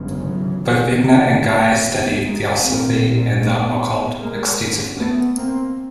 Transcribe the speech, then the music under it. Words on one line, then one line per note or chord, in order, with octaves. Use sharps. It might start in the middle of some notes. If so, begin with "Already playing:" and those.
Both Edna and Guy studied Theosophy and the occult extensively.
Already playing: G1 F#2 C#3
E3 F#3
D#3 F3
G#3 A#3
A3 B3
G#3 A#3
A#1 A#2 A#3 C4
A3 B3
G#3 A#3
A3 B3
A#3 C4